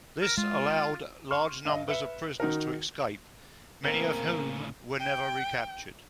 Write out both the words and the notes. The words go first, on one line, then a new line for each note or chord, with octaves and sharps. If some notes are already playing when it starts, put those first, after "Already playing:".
This allowed large numbers of prisoners to escape, many of whom were never recaptured.
A#4
G#3 F4
C6 C#6 F6
G2 D#5
B4 E5 C#7
D#3 D#4 F#4 A#4
A2 C#3 A#3 C4 A#4
G5